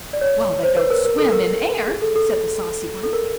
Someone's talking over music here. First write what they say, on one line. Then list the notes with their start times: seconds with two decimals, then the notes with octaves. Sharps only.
"Well, they don't swim in air," said the saucy one.
0.13 D5
0.21 C#5
0.63 C5
0.77 B4
0.90 A#4
1.05 A#4
1.18 A4
1.32 A#4
1.88 G#4
2.02 A4
2.16 A4
3.03 A4
3.13 A#4